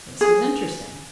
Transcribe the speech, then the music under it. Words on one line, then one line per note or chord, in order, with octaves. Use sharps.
This was interesting.
G#4